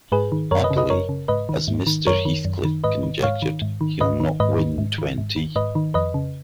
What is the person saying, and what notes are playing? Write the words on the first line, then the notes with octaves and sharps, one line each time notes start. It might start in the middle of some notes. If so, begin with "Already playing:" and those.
Happily, as Mr. Heathcliff conjectured, he’ll not win twenty.
G#2 G#4 B4
D#3
F#2 A#4 C#5
B4 D#5
C#3
B4 D#5
F#2 A#4 C#5
C#3
G#2 B4 D#5
D#3
G#2
D#3
F#2 A#4 C#5
D#3
F#2
D#3
G#2 B4 D#5
D#3
G#2 C#5 F5
D#3
G#2
D#3
G#2 B4 D#5
D#3
G#2 B4 D#5
D#3
G#2
D#3
G#2
D#3
G#2 B4 D#5
D#3
F2 B4 D#5
C#3